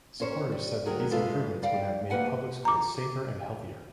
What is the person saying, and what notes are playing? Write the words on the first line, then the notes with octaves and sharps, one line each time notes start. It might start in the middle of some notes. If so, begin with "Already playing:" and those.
Supporters said that these improvements would have made public schools safer and healthier.
C#4 A#4 C5 C#5
G3
D2 D#3 F#3 G#4 A#4
G3 G#3 E4 F4 A4 B4
G3 D5 F5 G5
D2 A#3 B4 F#5 G#5
A#5 D6